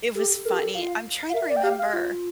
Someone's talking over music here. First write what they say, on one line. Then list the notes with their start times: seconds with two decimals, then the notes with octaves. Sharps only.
It was funny. I'm trying to remember
0.15 G4 A4
0.45 A4 A#4
0.52 G4
0.60 A4
0.75 F4 F5
1.29 F5
1.33 A#4 E5
1.49 D5
1.56 G5
1.63 G4 F5
1.78 F5
1.93 F4